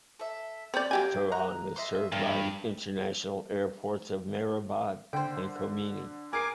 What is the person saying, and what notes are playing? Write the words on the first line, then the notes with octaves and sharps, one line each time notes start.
Tehran is served by the international airports of Mehrabad and Khomeini.
A4 E5
C4 C#4 D5 G6
F#3 A#3 G4 G5 G#5
A#5 F#6
D#5 E5 C6
G2 A#4
D3 C5 G5
G#4 A#4 G#5 D6 C7 D7